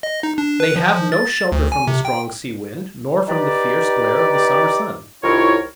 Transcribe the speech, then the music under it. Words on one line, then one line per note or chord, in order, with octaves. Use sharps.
They have no shelter from the strong sea wind, nor from the fierce glare of the summer sun.
D#5
D#4
D4
B4
F3
F3
A6
A6
D2
G#5
C3
G5
D#4 G4 B4 D5
C2 D#3 E4 F4 A#4 C#5